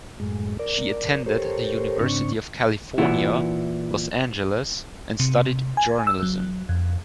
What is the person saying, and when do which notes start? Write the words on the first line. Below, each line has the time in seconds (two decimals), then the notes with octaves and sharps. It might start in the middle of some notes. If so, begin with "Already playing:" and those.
She attended the University of California, Los Angeles, and studied Journalism.
0.20 F#2 A2 G#3
0.59 A#4 D5
1.26 G4 A4 A#4 C5 C#5
2.01 G#2 C#3 C4 D4 C#6
2.98 A#2 E3 E4 F#4
5.20 C3
5.77 G#5
6.07 E6
6.23 F#3
6.69 F2